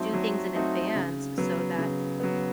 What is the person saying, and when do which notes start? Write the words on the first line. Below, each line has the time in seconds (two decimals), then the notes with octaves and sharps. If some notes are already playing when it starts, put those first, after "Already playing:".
do things in advance so that
Already playing: F#3 A3 C4 D#4 F#4
0.13 F#3
0.54 A3 C4 D#4 F#4
0.95 C#3
1.38 F#3 B3
1.78 C#3
2.20 F#3 B3